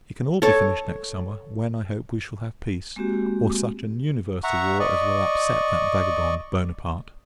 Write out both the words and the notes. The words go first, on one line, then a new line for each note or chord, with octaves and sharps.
It can all be finished next summer; when, I hope, we shall have peace, or such an universal war as will upset that vagabond, Buonaparte.
A4 C#5
G#3 A#3 C4 F#4 G4
E5 F#5 A#5 C#6
D5 D#5 C#6